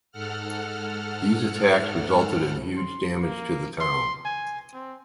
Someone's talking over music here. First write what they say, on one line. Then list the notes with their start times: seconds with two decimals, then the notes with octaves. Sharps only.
These attacks resulted in huge damage to the town.
0.12 G#2 A4 F#5 F6
2.77 C6
3.22 A#3
3.81 C6
4.25 G#5
4.74 C4